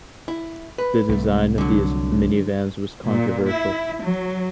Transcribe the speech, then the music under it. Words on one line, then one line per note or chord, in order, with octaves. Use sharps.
The design of these minivans was controversial.
E4
B4
C2 A3
D3 F#3
A#2
E4
F#3